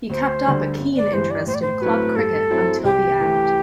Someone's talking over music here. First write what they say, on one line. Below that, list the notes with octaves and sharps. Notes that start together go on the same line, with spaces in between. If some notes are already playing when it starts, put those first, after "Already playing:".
He kept up a keen interest in club cricket until the end.
D2 C5
D3 G3 D4
G1
D5
G2 E3 C5
D5
A2 C5
D5
C5
F#3 A3 C4 E4 B4
G2 A4
F#3 C4 E4
C2 G4
C3 E3 A3